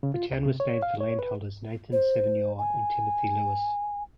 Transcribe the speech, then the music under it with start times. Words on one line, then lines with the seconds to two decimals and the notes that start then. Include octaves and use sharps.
The town was named for landholders Nathan, Sevignior and Timothy Lewis.
0.03 C#3
0.14 F4
0.31 C#2
0.46 C3
0.60 C#5
0.82 F5
1.00 C#5
1.19 B4
1.92 C5
2.58 G#5